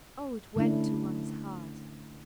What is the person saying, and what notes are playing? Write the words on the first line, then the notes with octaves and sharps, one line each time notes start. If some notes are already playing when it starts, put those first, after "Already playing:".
O! it went to one's heart!
D3 A3 C#4 D4 E4